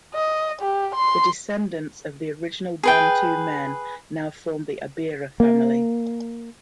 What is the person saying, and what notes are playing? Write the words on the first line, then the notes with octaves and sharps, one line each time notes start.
The descendants of the original Bantu men now form the Abira family.
D#5
G4
C6
G#4 B4 G5
A#3